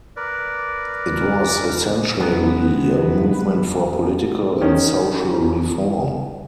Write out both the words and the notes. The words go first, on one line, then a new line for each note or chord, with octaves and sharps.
It was essentially a movement for political and social reform.
A#4 B4 D5
F#2 C3 F#3 G#3 B3 B4
D#3 C#4